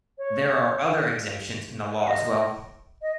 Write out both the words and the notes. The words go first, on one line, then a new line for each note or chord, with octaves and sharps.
There are other exemptions in the law as well.
C#5
F#5
D#5
D#5